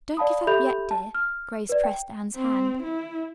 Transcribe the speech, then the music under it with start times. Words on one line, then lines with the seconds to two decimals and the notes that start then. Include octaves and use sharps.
"Don't give up yet, dear," Grace pressed Anne's hand.
0.17 D5 F5 A5 B5 D#6
0.47 G4 A4 E5 B5 G6 F7
0.91 A5
1.15 F6
1.69 B4 D5
1.84 G5
2.36 C4
2.83 E4